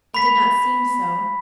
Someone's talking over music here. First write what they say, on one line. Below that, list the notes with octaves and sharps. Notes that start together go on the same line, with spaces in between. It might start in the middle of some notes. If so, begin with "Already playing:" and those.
It did not seem so.
B5 B6